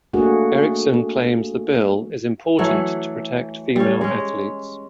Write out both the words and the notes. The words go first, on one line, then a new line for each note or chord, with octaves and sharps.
Erickson claims the bill is important to protect female athletes.
A3 A#3 D4 F#4 G#4
E3 F#3 A3 F#4
G3 C#4
G#3 C#4